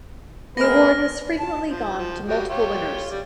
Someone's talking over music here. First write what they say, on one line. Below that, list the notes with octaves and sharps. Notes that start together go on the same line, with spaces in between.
The award has frequently gone to multiple winners.
C3 G#3 A#3 B4 F6 A#6
A5
F3
F3
F#3 G3
F4 G4 C#5
G3